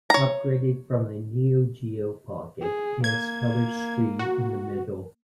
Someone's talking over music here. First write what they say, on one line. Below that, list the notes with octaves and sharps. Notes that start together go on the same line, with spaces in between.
Upgraded from the Neo Geo Pocket, it has a color screen in the middle.
C#5 A#5
G#4
A#3 G#6
F#4